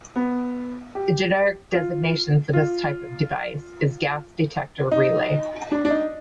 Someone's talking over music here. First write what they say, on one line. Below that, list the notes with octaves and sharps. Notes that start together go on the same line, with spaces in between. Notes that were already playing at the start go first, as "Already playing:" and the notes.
A generic designation for this type of device is "gas detector relay".
B3
G4
F4
F4
D#4
D4
D4
D#4